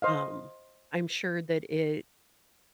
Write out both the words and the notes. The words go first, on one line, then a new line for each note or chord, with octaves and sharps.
um, I'm sure that it
C5 D#5 F5